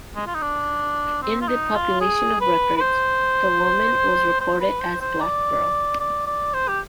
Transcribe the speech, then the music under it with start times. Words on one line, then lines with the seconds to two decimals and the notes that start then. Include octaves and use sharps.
In the Population of Record, the woman was recorded as Black Girl.
0.16 G#3
0.27 F4
0.34 D#4
0.42 D4
1.22 C4
1.42 F4
1.48 D#4
1.75 F4
2.01 G#4
2.41 B4
2.77 B4
2.81 C5
4.41 C5
4.60 B4
4.81 C5
5.01 C5
5.21 D5
6.00 D5
6.27 D5
6.54 C5
6.68 G4